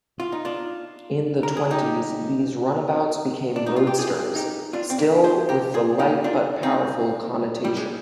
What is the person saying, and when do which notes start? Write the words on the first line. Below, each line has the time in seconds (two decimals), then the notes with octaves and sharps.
In the Twenties, these runabouts became roadsters, still with the light-but-powerful connotation.
0.20 F4
0.32 D#4
0.45 D4 F4
1.43 A#4
1.57 G#4
1.71 D#4 G4
3.56 D4
3.66 D#4
3.76 F4
3.87 G4
3.98 F4 G#4
4.36 D#4 G4
4.73 D4 F4
4.90 C4
4.98 A#3 D4
5.24 G#4 C5
5.49 G4 A#4
5.74 F4 G#4
5.99 D#4 G4
6.24 D4 F4
6.63 C4 D#4
7.64 G3
7.76 G#3